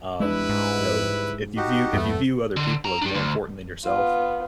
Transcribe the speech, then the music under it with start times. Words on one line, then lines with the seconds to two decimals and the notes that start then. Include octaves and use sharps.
um, you know, if you view if you view other people as more important than yourself,
0.20 G3 G#3 D4 E4 B4
0.49 G#2
1.57 D#4 F#4 G4
1.93 E2 G2 A3 B3
2.57 D3
2.85 B3 A#5
3.02 D4 G4
3.14 D2
3.84 B3 F4